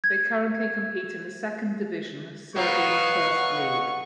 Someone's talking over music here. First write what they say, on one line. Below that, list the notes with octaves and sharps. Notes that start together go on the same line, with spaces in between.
They currently compete in the second division Serbian First League.
G#6
B2 F#3 B4 F5 C#6